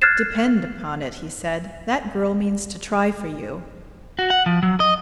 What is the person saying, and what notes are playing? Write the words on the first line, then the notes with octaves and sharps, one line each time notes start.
"Depend upon it," he said, "that girl means to try for you."
F6 F#6 G#6 A6 C7 E7
F#4
F#5
F3
F#3
D#5